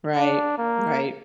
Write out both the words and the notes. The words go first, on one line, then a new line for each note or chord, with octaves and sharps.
Right, right.
D4
A#3